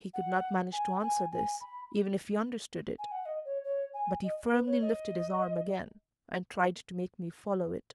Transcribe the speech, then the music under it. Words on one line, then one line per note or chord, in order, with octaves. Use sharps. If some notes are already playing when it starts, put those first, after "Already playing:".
He could not manage to answer this, even if he understood it; but he firmly lifted his arm again, and tried to make me follow it.
F#5
G#5
G#5
G#5
B5
G#5
F#5
D#5
C#5
C#5
G#5
D#5
B4
C#5
D#5